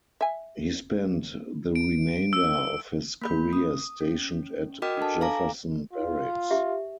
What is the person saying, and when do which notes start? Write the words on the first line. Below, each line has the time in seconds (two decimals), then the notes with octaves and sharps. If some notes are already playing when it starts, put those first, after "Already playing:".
He spent the remainder of his career stationed at Jefferson Barracks.
0.21 E5 G#5
1.75 D7
2.33 E6
3.22 A#3 B5 G6
3.53 D#6
4.01 C#4
4.82 F#4 A#4 D#5 G5 D6 F6
4.97 D4 A4 A5
5.21 A4 F5 G#5 A#5 D6 A#6
5.93 F4
6.51 G4 E5